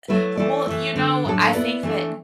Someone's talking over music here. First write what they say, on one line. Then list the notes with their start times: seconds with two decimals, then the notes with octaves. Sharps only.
Eh Well, you know, I think that
0.08 F#3 A3 E4 B4
0.37 E3 A3 E4 A4 D5
0.67 E3 A3 E4
0.96 D3 B3 D4
1.25 A2 F#3 D4 A4
1.54 B3 E4 B4 D5
1.83 E3 A3 D4